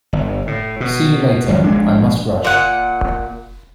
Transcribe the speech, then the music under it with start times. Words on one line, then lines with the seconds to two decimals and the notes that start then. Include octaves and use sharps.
See you later. I must rush.
0.13 G1
0.47 A2
0.80 B2
1.48 G#1 F#2 F3
1.64 A#1 G#3 D4
2.45 A#2 F#5